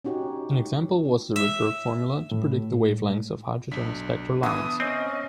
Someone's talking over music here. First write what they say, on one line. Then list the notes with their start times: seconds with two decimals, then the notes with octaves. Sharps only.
An example was the Rydberg formula to predict the wavelengths of hydrogen spectral lines.
0.05 C#4 D#4 F#4 G4 C#5 F#5
1.36 E5
2.31 A2
3.71 B1 D4 B6
4.43 D3 E3 B3 E5 D#6
4.80 C4 C#4 D#5